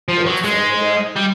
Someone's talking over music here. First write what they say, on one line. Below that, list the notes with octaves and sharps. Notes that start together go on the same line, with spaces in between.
or Family Guy
F3
F#3
G#3
G3